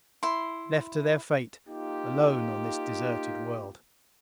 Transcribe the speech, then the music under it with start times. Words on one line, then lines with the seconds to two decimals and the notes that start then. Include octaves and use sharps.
Left to their fate, alone on this deserted world.
0.23 E4 C6
1.68 A#3 D#4 F4 G4